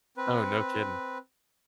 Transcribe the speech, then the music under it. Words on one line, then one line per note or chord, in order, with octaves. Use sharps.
Oh, no kidding.
C4 B4